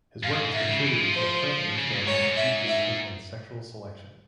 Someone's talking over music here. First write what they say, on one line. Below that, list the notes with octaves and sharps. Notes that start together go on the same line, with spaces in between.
His work has contributed to our current understanding of Speciation and Sexual selection.
G#2 F5
G#2 E5
C#3
E3
F3
C5
C#3
A#2
G#2 C#5
G#2
E5
E5